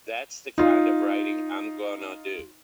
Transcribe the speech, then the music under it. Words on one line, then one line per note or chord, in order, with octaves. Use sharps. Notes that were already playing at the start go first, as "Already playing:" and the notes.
That's the kind of writing I'm gonna do.
D#4 F4